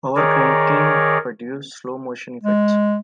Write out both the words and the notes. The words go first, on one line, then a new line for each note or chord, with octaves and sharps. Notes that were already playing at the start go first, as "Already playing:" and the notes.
"Overcranking" produces slow motion effects.
D#3 G#4 A#4 C#5 D5
G#3